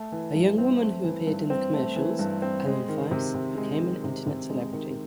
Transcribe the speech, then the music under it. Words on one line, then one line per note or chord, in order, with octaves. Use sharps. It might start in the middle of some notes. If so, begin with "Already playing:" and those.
A young woman who appeared in the commercials, Ellen Feiss, became an internet celebrity.
Already playing: A3
E3
G2
C4
A3
E3
G2
C4
A3
E3
G2
C4
G#3
D#3
C3
C3
G#3
D#3
C3
C3
G#3
D#3